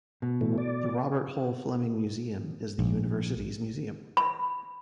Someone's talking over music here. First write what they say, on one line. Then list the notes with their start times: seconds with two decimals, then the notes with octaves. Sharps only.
The Robert Hull Fleming Museum is the university's museum.
0.22 B2
0.41 A2 E3 A3
0.58 D5
2.79 A#1
4.17 B5